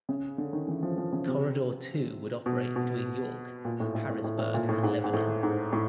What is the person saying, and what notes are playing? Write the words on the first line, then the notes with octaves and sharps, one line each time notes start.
Corridor Two would operate between York, Harrisburg, and Lebanon.
C#3
D3
D#3
E3
F3
F3
C#3
C3
B2
B2
A#2
A2
A2
A2
A2
A2
A#2
A2
G#2
G#2
A2
G#2
A2